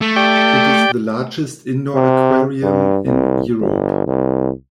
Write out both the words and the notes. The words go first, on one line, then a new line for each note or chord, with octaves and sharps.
It is the largest indoor aquarium in Europe.
A3
G4 D5 G5
C3
G2
C2
G1
C2